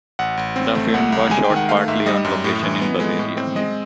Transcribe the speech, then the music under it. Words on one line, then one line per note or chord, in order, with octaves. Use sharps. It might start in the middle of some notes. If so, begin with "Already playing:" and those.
The film was shot partly on location in Bavaria.
A1 F#5
A1
C4
A3
C2 F#5
C2
G#3 G#5
G5
D#3
F#5
A3 F5
G#2 E5
G3 D#5
F#2
A2
E3
B3
G#3
A2
C4
G#3 D#5